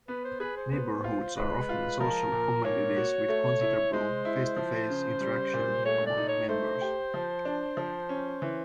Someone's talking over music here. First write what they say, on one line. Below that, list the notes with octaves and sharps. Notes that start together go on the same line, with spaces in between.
Neighbourhoods are often social communities with considerable face-to-face interaction among members.
B3 B4
C5
G#4 B4
C5
B3 C5
F4
G#3 B4
F4
F3 A#4
A#2
A#3 C#5
F#4
A3
E4
G#3 C5
E4
F3
C#3
G3
A#2
A3 C#5
D5
D#4
C#5
A3 C5
G4
F3
D4
F3
C#4
E3